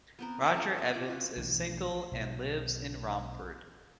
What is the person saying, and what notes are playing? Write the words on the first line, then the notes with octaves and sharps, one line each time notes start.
Roger Evans is single and lives in Romford.
B3 C4 A#4
A#4 E5 F#5 A5
A3 C#4 F4
E5 G#5
F4 G#5 B5 D6
F4 F#4 B4
B1 E3 A3 D4
B1